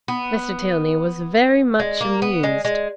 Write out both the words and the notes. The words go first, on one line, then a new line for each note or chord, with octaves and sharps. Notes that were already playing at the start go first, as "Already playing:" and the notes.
Mr. Tilney was very much amused.
B3
G#3
A#3
B3
G#3
G#3